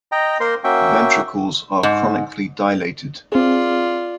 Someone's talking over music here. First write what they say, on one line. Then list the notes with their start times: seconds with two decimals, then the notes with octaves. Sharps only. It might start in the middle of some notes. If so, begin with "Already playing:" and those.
Ventricles are chronically dilated.
0.12 D#5 G5 A#5
0.40 A#3 A#4 C5 C6
0.64 A#3 C#4 F#4 E5 G5 C#6
1.83 G#2
3.32 C4 F4 G#4 D5